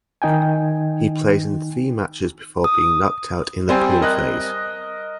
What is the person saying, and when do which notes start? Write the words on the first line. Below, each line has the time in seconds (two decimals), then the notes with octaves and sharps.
He plays in three matches before being knocked out in the pool phase.
0.22 D#3 D#4 G5 G#5
2.64 D#6
3.69 G3 C4 C5 G#5
4.01 A#4 D#5 F#6